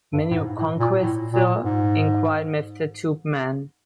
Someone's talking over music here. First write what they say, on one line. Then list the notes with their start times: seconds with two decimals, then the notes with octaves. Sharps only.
'Many conquests, sir?’ inquired Mr. Tupman.
0.13 G2
0.31 A2
0.35 G#2
0.58 A2
0.80 A#2
1.03 A2
1.33 A#2
1.64 G#2